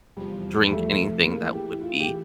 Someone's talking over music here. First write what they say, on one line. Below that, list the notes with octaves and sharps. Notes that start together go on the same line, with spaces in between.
drink anything that would be
E2 C3 F3 G3
G3
A3
E3 A3 A#3 E4
G4
F4
G4